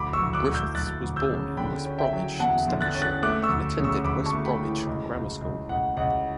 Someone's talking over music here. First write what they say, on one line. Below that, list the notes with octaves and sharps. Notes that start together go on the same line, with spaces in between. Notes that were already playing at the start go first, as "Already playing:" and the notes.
Griffiths was born in West Bromwich, Staffordshire, and attended West Bromwich Grammar School.
Already playing: D2 B5 D6
C#6 E6
D2
D6 F#6
D2
E6 G6
D2 F#6 A6
D2
E6 G6
C#3
D3 G5 B5
C#4
E5 G5
F#3
E2 F#5 A5
D3
F#6 A6
C#4
F#6 A6
A3 D6 F#6
C#6 E6
D2
C#3
C#6 E6
D2 B5 D6
A5 C#6
A3
G5 B5
E3
C#2
C#2
C#2
C#2 F#5
C#2 F#5